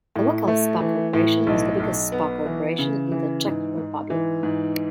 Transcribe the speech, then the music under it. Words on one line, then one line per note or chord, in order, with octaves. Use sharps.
The local spa corporation is the biggest spa corporation in the Czech Republi.
A2
A3
E3
A2
B1
B1
B3
E3
C#3
E3
G#2
G#2
E3
G#2